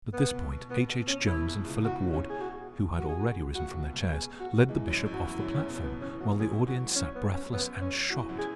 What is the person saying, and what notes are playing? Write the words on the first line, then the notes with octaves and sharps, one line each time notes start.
But at this point H. H. Jones and Philip Ward, who had already risen from their chairs, led the Bishop off the platform, while the audience sat breathless and shocked.
B3
B2
B2
B2 B3
C#4
B2 E4
E2 E3
C#2 C#3
B2 F#4
C#4
G#4
F#4
F#4
G#4
F#4
C#2 C#3 F#4
B2
B2
G#4
F#4
E2 E3 G#3
F#2 F#3
F#2 F#3
F#4
E2 E3 E4
F#2 F#3
E2 E3 C#4
B2
B2 B3
E2 E3 C#4
E2 E3 F#4
F#2 F#3 G#4
F#4
C#4
B3
C#4
F#2 F#3 B3
C#4
E2 E3 F#4
F#2 F#3
G#4